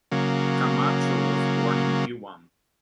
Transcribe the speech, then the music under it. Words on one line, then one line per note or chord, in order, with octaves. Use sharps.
Camacho was born in Guam.
C#3 F#3 A#3